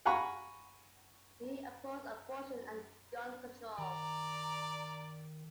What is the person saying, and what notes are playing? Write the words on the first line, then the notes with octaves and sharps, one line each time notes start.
He opposed abortion and gun control.
F5 F#5 G#5 A#5 B5 C#6
D#3 D5 A#5